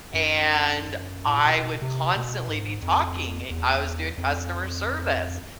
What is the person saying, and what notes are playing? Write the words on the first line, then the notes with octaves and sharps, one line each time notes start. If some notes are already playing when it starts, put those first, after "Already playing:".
and I would constantly be talking, i I was doing customer service
F#2
A2
A#2
B2
C3
B2
G#2
F2
E2
F2